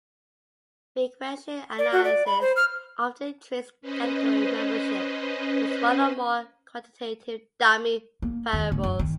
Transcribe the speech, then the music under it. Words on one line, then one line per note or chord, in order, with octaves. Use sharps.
Regression analysis often treats category membership with one or more quantitative dummy variables.
D5
F#4
D5
B5
C5
F6
C#4 B4 C5 D#5
A#3
D#2
D2
F#2
D#3